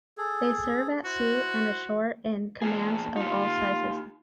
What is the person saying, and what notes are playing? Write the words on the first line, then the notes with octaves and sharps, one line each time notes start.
They serve at sea and ashore in commands of all sizes.
G#4 A4
E4 F#4 C5
A#3 F4 G#4
D#4 F4 G4